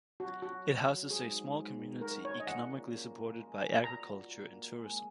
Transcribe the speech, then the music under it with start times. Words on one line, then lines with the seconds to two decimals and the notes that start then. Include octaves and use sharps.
It houses a small community economically supported by agriculture and tourism.
0.20 F#3 F#4
0.42 F#3 F#4
0.65 F#3
0.88 F#3
1.11 G#2 G#4
1.34 G#2
1.56 G#2
1.79 D#3
2.01 F#4 A#4
2.25 C#3 C#5
2.40 D#5
2.47 A#2 F#5
2.70 A#3
2.93 A#3
3.16 A#3
3.38 G#3
3.62 F#4
3.84 A#2 A#5
4.07 F#4
4.30 A#3
4.52 A#3
4.75 G#3